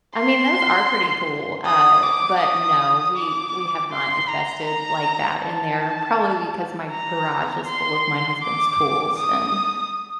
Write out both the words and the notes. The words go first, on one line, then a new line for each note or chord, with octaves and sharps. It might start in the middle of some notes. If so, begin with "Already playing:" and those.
I mean, those are pretty cool. Uh, but, no, we we have not invested like that in there, probably because my garage is full of my husband's tools, and,
C6
D#6
D6
D#6
D6
C6
A#5
A#5
A5
A#5
C6
D6
D#6